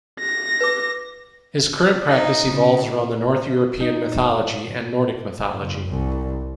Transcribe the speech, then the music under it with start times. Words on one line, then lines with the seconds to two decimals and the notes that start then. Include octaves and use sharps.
His current practice evolves around the North-European mythology and Nordic mythology.
0.19 A#6
0.61 B4 D6
2.07 D#4
2.51 C#3
3.80 D#4
5.57 F#1
5.89 C2